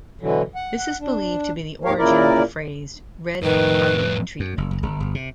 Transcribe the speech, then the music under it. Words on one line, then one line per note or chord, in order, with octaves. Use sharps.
This is believed to be the origin of the phrase "red-carpet treatment".
B2 D3 E3 F#3
F#5
F#5
D4
D#2 G#2 G4 A#4 C#5 F5
A#2 C#3 E4 A#4 D5
F2 A2 D#3 B4
F#2
F#1
F#1
G1
G1
C3